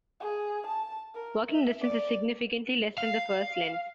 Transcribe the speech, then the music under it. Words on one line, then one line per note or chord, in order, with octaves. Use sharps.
Working distance is significantly less than the first lens.
G#4
A5
A#4
E5
D5
F5